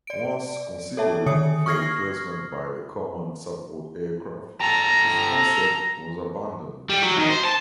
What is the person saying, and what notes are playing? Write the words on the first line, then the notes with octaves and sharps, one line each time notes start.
Once considered for replacement by the "Common Support Aircraft", this concept was abandoned.
D5 D7
A4 C#5 E5 A5
D3 D#3 C#5 E5 D#6 C#7
C#6 D#6 F6 G#6 A#6 C7
G4 A4 A#5
G3
F#3
D#3
C5
A5